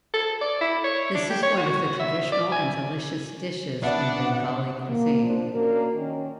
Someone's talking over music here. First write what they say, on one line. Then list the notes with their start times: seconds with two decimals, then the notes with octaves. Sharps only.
This is one of the traditional and delicious dishes in Bengali cuisine.
0.14 A4
0.41 D5
0.61 E4
0.84 C#5
1.15 D4
1.30 G4
1.43 C#5
1.57 F#4
1.99 E5
2.32 D5
2.52 G#5
3.83 B3 D4 D5 E5 F#5
4.87 A#3
5.23 F3 D4
5.54 A#3 C#4 D4 F#4 A#4
5.95 D#3 C#4